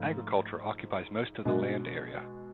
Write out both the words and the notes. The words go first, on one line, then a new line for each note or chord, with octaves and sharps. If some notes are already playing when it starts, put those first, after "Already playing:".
Agriculture occupies most of the land area.
Already playing: G#2 F3 A3 F4
B2 G#3 D4 F#4